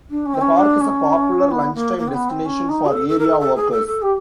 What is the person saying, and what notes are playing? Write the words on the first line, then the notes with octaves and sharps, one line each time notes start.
The park is a popular lunchtime destination for area workers.
D4
C#4
C4
C#4
D4
C#4
B3
A#3
A#3
C4
B3
C4
C#4
D#4
G#4
A4
A4
A#4
A4
A4
G#4
A4
A4
G4